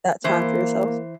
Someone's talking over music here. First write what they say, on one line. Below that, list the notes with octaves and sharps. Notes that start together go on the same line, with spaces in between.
that time for yourself?
E3 A#3 C5